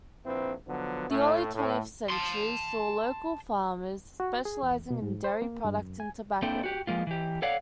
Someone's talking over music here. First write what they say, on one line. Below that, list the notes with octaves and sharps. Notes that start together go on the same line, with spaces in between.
The early twentieth century saw local farmers specializing in dairy product and tobacco.
A#1 C4 E4 B4
D3 F3 F#3 B3
A2 A3
A2
A5 C6
F#4
G#4
E2
B2
G#2
C5
A#3
G2
F#2
G#5
A#3 C4 D4 E4 A4 G5
F#4 G4
F3 G#3 A#3 F4
E3 G4
A4 C#5 D5 F5 F#5